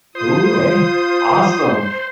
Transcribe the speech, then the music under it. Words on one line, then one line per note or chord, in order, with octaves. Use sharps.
Ooh, hey. Awesome.
F4 C5 D#6